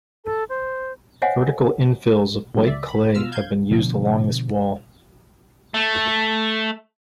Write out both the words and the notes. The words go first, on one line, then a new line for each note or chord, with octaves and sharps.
Vertical infills of white clay have been used along this wall.
A4
C5
C5 C#5 D#5 F5 F#5 G#5
A#2 D3 D#3 F#3 G#3
C#2 D5 E5
B5
B2 F4 E6 F6
F5 G6 G#6
B2 D3 F3
A3